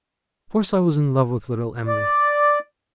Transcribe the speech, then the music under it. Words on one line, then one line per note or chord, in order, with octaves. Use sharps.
Of course I was in love with little Em'ly.
D5